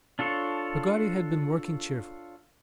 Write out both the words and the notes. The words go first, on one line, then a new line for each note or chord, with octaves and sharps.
Peggotty had been working cheerfully.
D4 F4 A4 C#5